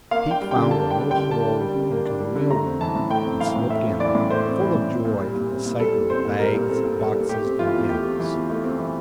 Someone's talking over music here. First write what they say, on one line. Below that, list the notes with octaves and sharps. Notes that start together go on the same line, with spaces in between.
Peep found a little hole into the meal-room, and slipped in, full of joy at the sight of the bags, boxes, and bins.
A#3 F5
D4 G5
G3
D3 G5
A#3 A5
D4 G5
G3
D3 G5
A#3 A5
D4
G3
D3
A#3
D4
G3
D3
A3 A#5
C4
E3 A5
A2
A3 G5
C4
E3 F5
A2
A3 E5
C4
E3 D5
A2
A3 C5
C4
E3
A2
C4
A#2
G3
A#2
C4
A#2
G3 A4
A#2
C4 C5
A#2
G3 A#4
A#2
C4 A4
A#2
G3 A4
A#2
A3 G4
C4
E3 F4
E2
A3 G4
C4
E3
E2
A3
C4
E3